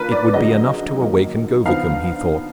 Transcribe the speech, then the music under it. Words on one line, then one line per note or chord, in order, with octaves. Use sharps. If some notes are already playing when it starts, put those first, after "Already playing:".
It would be enough to awaken Govicum, he thought.
Already playing: D#3 A#3 D4 F4 A#4 B4
D5
F#2 D3 G#3 D#4 D#5
F#2 D#3 A#3
D3 F3 B3 D#4 F5